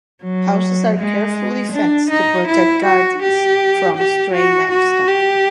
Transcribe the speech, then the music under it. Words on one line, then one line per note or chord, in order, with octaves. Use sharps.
Houses are carefully fenced to protect gardens from stray livestock.
F#3
G#3
D4
D#4
E4
F#4
G4
G4
F#4
F#4
G4